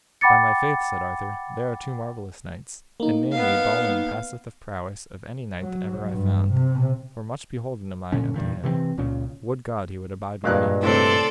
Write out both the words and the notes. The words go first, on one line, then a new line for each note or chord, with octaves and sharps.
By my faith, said Arthur, they are two marvellous knights, and namely Balin passeth of prowess of any knight that ever I found, for much beholden am I unto him; would God he would abide with me.
F#5 G5 B5 D6 A6 C#7
A#3 D#4
B3 F5
F#3
G2
C3
A#2 D3 C#4
E2 G2 A#2
C3 E3 G#3 C4
C#2 A#2 C#3
G2 A#2 G#3 A#3 F5 F#6
A2 C3 C4 A4 D5 C6